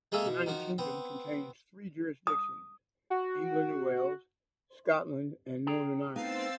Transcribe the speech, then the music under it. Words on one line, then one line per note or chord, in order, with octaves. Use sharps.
The United Kingdom contains three jurisdictions: England and Wales; Scotland; and Northern Ireland.
G#3 A#3 G#4 A4 E5 F5
B2
D#3 F3 F#4
B3 C4
D#6
F#4
G#4 G5 A#5
A3 B3 C4 D#4 F5 E6 A6